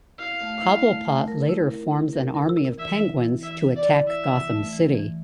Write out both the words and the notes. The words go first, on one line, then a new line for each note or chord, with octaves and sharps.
Cobblepot later forms an army of penguins to attack Gotham City.
E4 F5
A3
E4
A3
A3
A#4
E4
A#4
E4
A#4
A#4
A#4
E3 E5
E4
E4
E3 E5
E3
D5
E4
E4 E5
E3
A3
E3
E3